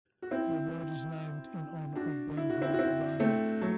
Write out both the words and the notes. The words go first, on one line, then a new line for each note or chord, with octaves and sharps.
The award is named in honor of Bernhard Riemann.
F#4
C4 E4
D4 F#4
E4
F#4
C4 E4
F#4
C4 E4
A3 C4
F#3 A3